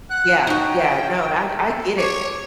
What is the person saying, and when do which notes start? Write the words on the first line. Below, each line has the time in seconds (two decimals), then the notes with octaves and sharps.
Yeah, yeah, no, I d I get it,
0.10 F#5 F#6
0.47 C#4 D#4 F#4 G5
1.56 A4
1.98 C#5 D6